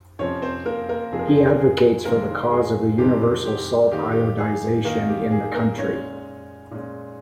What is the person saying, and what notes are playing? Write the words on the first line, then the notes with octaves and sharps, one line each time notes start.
He advocates for the cause of the universal salt iodization in the country.
F2 C3 F3 C4 C#4 C#5
C4 C5
A#3 A#4
A#3 A#4
F2 C3 F3 C4 G#4
A#4
G#4
A#4
G#4
F2 C3 D#3 G#3 A#3 C4 A#4
G#4
F2 C3 D#3 G#3 C4 G4
G4
D#3 A#3 D#4 G4
G4
G#4
D#3 A#3 D#4 A#4
G4
G#4
A#3 A#4
A#2 G#3 C#4 C#5
A#2 G#3 C#4